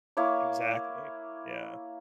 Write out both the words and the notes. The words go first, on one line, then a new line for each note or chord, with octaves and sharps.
Exactly. Yeah.
A#3 E4 C#5 D6